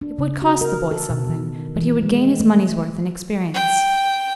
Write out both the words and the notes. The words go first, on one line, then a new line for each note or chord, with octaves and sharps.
It would cost the boy something, but he would gain his money's worth in experience.
D4
C#3
F#4
A#4
A4
B2
D#3
E3
G#3
A3
G5